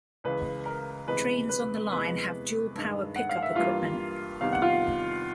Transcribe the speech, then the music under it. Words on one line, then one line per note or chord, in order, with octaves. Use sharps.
Trains on the line have dual power pick-up equipment.
C#2 C#3 E3 G#3 B4
A#4
D2 C3 E3 G#3 B4
B4
E2 C3 E3 G#3 B4
G2 D#3 G#3
F#5
F5
E5
G2 E3 G3 A#3 F4 F5
E2 C3 D#3 G3 F5
F#5
F4 F5